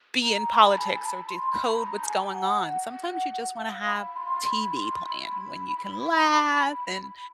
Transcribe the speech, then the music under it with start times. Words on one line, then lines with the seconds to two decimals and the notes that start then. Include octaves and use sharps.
be in politics or decode what's going on, sometimes you just wanna have TV playing when you can laugh and
0.23 A#5
0.52 B5
0.78 G#5
0.83 A5
1.06 B5
1.28 C6
1.51 B5
1.69 A5
1.74 A#5
2.04 G#5
2.34 F#5
2.65 F#5
3.55 F5
3.86 B5
4.17 C6
4.46 B5
4.76 C6
5.07 B5